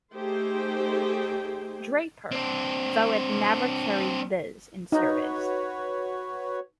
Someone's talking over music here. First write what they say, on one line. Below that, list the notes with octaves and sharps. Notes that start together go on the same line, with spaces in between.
Draper, though it never carried this in service.
A3 D#4 G4 G#4 C5 G5
C4 D4
D#4 F#4 B4 C#5